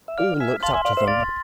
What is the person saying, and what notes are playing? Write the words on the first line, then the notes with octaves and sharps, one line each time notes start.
All looked up to them.
E5
D5 F5 F6
E5 G#5 B6
F5 A5 C6
E5 G#5
D5 F5 C6
C5 E5
D5 F5 A6